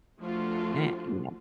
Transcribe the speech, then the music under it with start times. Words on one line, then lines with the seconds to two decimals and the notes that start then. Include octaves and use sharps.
na you know."
0.20 F3 A3 D4 F4 F#4